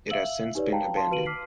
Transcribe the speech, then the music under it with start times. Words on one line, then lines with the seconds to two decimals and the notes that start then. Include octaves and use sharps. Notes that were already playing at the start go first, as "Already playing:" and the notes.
It has since been abandoned.
0.09 E5 F5 E6 F#7
0.55 D#4 G4 B4 C#5 D5
0.72 F5 G5 A5 A#5
0.95 F5 A5 C6
1.11 F#4 B4 F5 D7 D#7 F#7
1.26 D6 F6 B6 C7